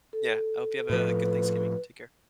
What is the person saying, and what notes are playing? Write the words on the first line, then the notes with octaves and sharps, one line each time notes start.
Yeah, I hope you have a good Thanksgiving. Take care.
A4
A2 F3 B4